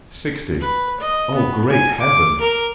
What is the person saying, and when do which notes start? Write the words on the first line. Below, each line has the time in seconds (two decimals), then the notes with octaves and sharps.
Sixty--oh, great heaven!
0.61 B4
1.00 D#5
1.35 B3
1.71 G#5
2.00 D6
2.41 A#4